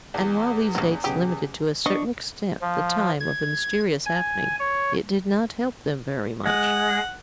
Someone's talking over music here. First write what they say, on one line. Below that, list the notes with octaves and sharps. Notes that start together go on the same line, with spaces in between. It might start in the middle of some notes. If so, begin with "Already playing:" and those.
And while these dates limited, to a certain extent the time of the mysterious happening, it did not help them very much.
E2
D2 G2 A#2 C#3 G#3
B1 C#3 G4 G#4 F#5
B3 D4 D#5 C#6
F3
G#6
G#5
C#5
G#3 F#5